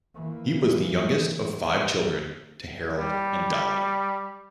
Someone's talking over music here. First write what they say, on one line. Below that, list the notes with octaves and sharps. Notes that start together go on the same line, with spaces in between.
He was the youngest of five children to Harold and Dolly.
E3 A#3
G3